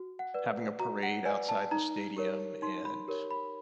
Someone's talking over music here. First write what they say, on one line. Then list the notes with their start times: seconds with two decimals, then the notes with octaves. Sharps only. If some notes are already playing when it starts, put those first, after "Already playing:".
having a parade outside the stadium and,
Already playing: F#4
0.19 F#5
0.34 B4 D5
0.79 F#4 A#5
1.03 F#5
1.25 B4 D5 G#5
1.49 A5
1.71 D#4 A#5
2.17 G4 A#4 C#5
2.62 D#4 C6
2.85 B5
3.08 G4 A#4 C#5
3.31 B5